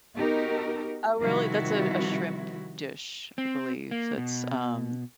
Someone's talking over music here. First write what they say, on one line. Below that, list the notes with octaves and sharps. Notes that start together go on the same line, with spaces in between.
Oh, really, that's a a shrimp dish, I believe, that's, um,
B3 D#4 F#4 G4 A#4
C3 D#3 F3 G3 E4 F#4
C4
A#3
B2